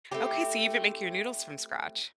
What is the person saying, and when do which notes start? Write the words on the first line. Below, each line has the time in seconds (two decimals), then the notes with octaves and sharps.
Okay, so you even make your noodles from scratch.
0.11 A3 C4 E4 G4